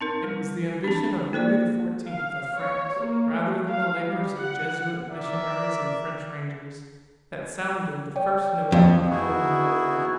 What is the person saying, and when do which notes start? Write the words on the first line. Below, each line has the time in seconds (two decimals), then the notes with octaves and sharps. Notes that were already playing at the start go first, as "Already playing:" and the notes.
It was the ambition of Louis XIV of France, rather than the labors of Jesuit missionaries and French rangers, that sounded the first note of colonial alarm.
0.01 C4 D#4 A#4
0.24 G3
0.84 C4 D4
1.33 A#3 A4 C5 D5
2.08 F5
2.53 C#5
3.00 A#3
3.30 A3
3.67 F5
4.05 G3
4.38 F#5
5.09 A#4 D5 E5
8.16 C#5 D5 G5
8.72 F2
9.10 B3 D#4 E4 F#4 G#4